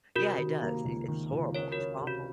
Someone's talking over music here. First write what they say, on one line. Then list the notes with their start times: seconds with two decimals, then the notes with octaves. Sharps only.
Yeah, it does, it it's horrible, it's awful.
0.15 C3 F#4 A#4
0.38 D#3
0.62 A#3
0.85 C#2
1.08 D#3
1.32 C#2
1.55 C#4 A#4 C#5
1.72 F#4 A#4
1.78 C#4
2.01 C3
2.07 F#4